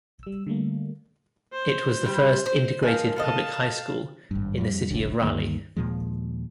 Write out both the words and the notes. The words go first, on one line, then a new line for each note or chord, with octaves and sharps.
It was the first integrated public high school in the city of Raleigh.
G3 E6
D3 G3 A3 A#3
C5
G3
C5
F3 A#4 D#5 F5 G#5
A4 B4 D#5 F5 A5
G#1 G2
F2 G3
F1 B1 D3
D2 G2 D#3 A#3
D#2 A#2 F3 G#3